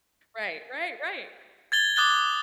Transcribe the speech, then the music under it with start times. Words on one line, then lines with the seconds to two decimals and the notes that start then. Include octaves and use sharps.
Right, right, right,
1.72 G#6 A6 G7
1.96 D6 D#6 F#6 A6 G7